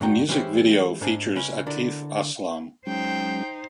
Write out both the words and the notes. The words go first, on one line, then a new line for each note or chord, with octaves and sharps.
The music video features Atif Aslam.
G2 D3 F#4 F#5 G5 A#5
E3 G#3 C#4 E4 G4 C5
G#2 D4 F5 G#5
C#2 C#4 B4
D3 D4 E4 A#4
F#3 G#3 C#4 D#4 C5 G5